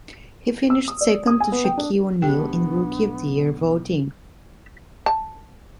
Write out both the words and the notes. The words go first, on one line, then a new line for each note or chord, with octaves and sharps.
He finished second to Shaquille O'Neal in rookie of the year voting.
E6
D#6
D5
D#6
G#5
B3
G5
D4
B1 G#2 B3 D4 G4 G5
A5